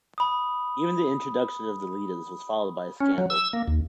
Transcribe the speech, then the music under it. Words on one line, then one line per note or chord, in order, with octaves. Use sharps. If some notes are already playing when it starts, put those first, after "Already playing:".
Even the introduction of the litas was followed by a scandal.
B5 D#6
C#4
F#3
E6
A#3
D#2